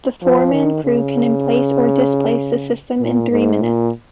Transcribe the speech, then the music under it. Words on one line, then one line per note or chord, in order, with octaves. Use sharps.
The four-man crew can emplace or displace the system in three minutes.
F3
D#3
C#3
A#2
G#2
A#2